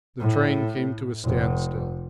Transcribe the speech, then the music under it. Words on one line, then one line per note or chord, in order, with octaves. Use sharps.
The train came to a standstill.
A2
F1